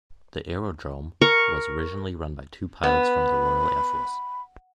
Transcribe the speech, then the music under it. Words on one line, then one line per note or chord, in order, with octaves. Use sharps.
The aerodrome was originally run by two pilots from the Royal Air Force.
A#4 C#6
B3 B5